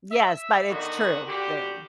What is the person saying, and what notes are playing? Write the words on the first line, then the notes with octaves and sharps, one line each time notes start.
Yes, but it's true, very.
E5
D3 D#3 B3 D#4 F#4
D3 G3 F#4 G4